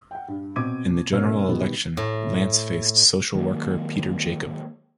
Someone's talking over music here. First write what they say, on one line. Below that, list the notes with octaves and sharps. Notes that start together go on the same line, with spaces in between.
In the general election, Lance faced social worker Peter Jacob.
F#5 G5
G2
B2 C4 D6 G#6 D#7
B2 A#3 C#4 C#5 E6 F6
B2 D#3 G3 B3
A2
D#3 F#3 G#3 A#3